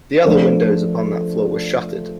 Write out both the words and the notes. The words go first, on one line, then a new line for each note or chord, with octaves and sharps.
The other windows upon that floor were shuttered.
F3 A3 D4 A4 C5